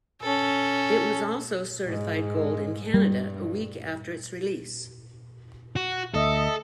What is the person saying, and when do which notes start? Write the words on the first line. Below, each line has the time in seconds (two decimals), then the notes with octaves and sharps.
It was also certified gold in Canada a week after its release.
0.22 C#4 A4
1.84 G#2 G#3
2.94 G2 G3
5.76 F#4
6.14 D2 A4 D#5 E5